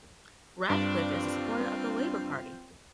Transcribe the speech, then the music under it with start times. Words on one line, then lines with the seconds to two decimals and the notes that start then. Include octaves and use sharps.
Radcliffe is a supporter of the Labour Party.
0.70 G2 C4 D4 F4